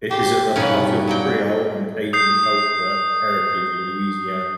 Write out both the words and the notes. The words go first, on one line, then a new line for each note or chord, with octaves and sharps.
It is at the heart of Creole and Cajun culture and heritage in Louisiana.
G4 C5
G2 B2 C#4 D#4 E4 B4
A#2 F#3 G5
D#6 G6 C7